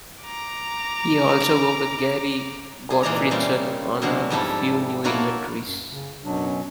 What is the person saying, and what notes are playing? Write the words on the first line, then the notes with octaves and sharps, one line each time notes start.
He also worked with Gary Gottfredson on a few new inventories.
A#5 D6
G3 G#4
A#2 E3 D#4 G#4 D5 A#5
C#3 G3 A#3 C4
B2 D3 F#3 G#3 F#4 F5
F2 G#2 G3 E4 G4 A4
A#3 D#4 E4 F#4 A4 C#5
F#2
C#3
F#2 B2 F#3 D4
C#4